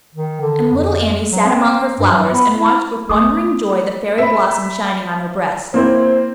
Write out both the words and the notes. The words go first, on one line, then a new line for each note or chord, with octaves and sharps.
And little Annie sat among her flowers, and watched with wondering joy the fairy blossom shining on her breast.
D#3
D3
F2
F#3
C4
G2
F#3
B3
E4
A3 D6 D#6
E5 B5
A#3 C4 E4 C5